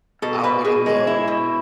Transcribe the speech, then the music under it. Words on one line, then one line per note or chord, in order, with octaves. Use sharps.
I would 've uh,
B2 A4
B2 B4
B2 G#4
G#3
E4
B2